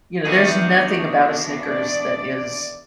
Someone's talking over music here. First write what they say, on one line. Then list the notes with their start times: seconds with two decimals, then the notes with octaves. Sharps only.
you know, there's nothing about a Snickers that is
0.25 E2 D#3 E3 B3 D4 F#4 G#4
1.62 D5